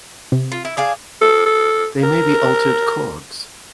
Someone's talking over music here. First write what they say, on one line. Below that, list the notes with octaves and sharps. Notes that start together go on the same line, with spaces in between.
They may be altered chords.
C3
F4
E4
D4 G#4 F5
A4
A4
A#4